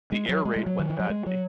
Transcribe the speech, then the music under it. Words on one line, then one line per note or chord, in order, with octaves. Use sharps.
The air raid went badly.
G#3
F#3
G#3
G#3
F#3
D#3
E3
F#3
G#3
F#3